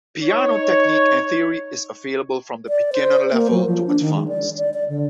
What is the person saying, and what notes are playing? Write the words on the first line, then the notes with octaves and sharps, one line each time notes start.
Piano technique and theory is available from the beginner level to advanced.
D#4 C#5
D5
C5
A#3
F#3
F3
D4
D#3
G#3
D5
D5
D5
D3